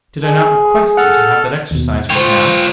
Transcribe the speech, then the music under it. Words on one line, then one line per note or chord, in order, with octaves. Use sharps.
"Did I not request you to have that exercise written out?"
G#4
A4 F#5 F6
D#2 B2
F4 C5 C#5 G5 C#6 G6